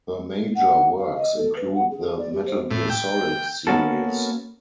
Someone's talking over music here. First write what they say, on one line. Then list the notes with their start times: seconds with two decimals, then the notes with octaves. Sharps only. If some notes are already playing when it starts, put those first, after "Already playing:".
Her major works include the "Metal Gear Solid" series.
0.55 F#5
0.98 F5
1.16 D#5
1.37 A4
1.56 B4
1.75 F#5
1.91 G#4
2.19 D5
2.33 G4
2.47 C5
2.71 A2
2.90 G5
3.67 A#3 B3 C#4 F#4 A4